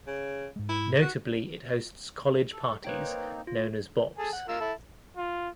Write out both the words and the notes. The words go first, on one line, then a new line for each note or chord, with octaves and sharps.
Notably it hosts college parties known as bops.
C#3
G#2 G#3
E4
F#4
A4
A#3 C4 D#4 B4 C#5 G5
F4
G#4 A4
F#5
A#3 F4 E6
E4 A4
F4